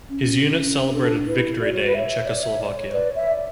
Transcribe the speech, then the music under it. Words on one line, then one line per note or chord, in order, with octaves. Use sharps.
His unit celebrated Victory Day in Czechoslovakia.
C#4
B4
D4 A4
E4 B4
F#4 D5
C#5
B4
C#5 E5
D5
E5
D5
C#5
B4 D5
C#5
E5
D5